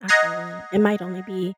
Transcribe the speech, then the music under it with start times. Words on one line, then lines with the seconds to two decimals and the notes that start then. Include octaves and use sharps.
Absolutely. It might only be
0.08 D#5 F#5 A#5 G#6 A#6 C7